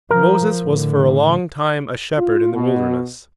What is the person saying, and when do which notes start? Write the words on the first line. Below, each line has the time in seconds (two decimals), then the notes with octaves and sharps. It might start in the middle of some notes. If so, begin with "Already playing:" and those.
Moses was for a long time a shepherd in the wilderness.
0.11 F3 A#4
0.63 A2 D3
2.17 F4
2.53 B2